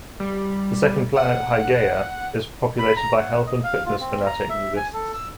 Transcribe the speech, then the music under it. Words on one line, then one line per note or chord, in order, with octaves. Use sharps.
The second planet, Hygeia, is populated by health and fitness fanatic nudists.
G3
F#5
B5
A#5
F#5
D#5
F5
F4
C4
A#5
E5
G#5
A4
E6